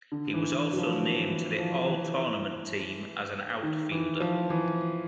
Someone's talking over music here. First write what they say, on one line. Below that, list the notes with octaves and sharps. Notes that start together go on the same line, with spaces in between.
He was also named to the All-Tournament team as an outfielder.
D3
E3
E3
F#3
F3
E3
E3
F3
E3
D#3
E3
F3
E3